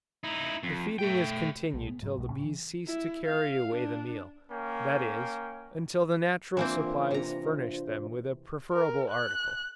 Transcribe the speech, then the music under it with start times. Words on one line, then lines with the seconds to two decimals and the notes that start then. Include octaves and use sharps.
The feeding is continued till the bees cease to carry away the meal; that is, until the natural supplies furnish them with a preferable article.
0.24 D#4 E4
0.63 F2
0.99 A3 G5
1.73 B1 G#3
1.88 B3
2.02 G#2 F#3
2.17 B1 G#3
2.30 A2 C#3 C#4
2.43 E3
2.87 E4
3.25 F5
3.72 D4
4.50 A#3 C#4 G5
6.57 E3 A#3 C4 D4 F4 C5
7.11 C3 A#5
8.73 A#4
9.10 F#6